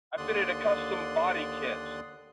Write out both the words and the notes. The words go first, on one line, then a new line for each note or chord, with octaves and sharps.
I fitted a custom body kit.
D#2 D3 D5 C6 D#6 F#6